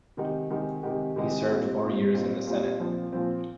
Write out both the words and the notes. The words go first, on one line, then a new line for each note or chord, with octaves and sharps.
He served four years in the Senate.
C3 D#3 G#3 D#4 G4
C3 D#3 G#3 D#4 G4
C3 D#3 G#3 D#4 G4
C3 D#3 G#3 D#4 G4
A#2 G3 C4 D#4
A#2 G3 C4 D#4
A#2 G3 C4 D#4
A#2 G3 C4 D#4
A#2 F3 C4
A#2 F3 C4